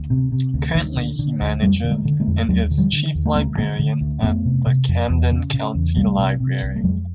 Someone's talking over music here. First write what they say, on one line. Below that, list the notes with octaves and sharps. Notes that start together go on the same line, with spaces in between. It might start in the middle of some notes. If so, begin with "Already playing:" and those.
Currently he manages and is Chief Librarian at the Camden County Library.
Already playing: D2
C3
C3
D2
D2 D#3
D3
D3
D2
F2 G3 A3
D3
G#3 A#3
D3
G#3 A#3
F2
D#2 F#3 G#3
D3
F3 G3
D3
D#2
A3
D2 G#3 A#3
D3 G#3 A#3
D3
D2
F2 A3 B3
C3
C3
F2
E2
C#3
C#3
E2
C2 G3 A3
C3
C3
C2
A3
F2 F#3 G#3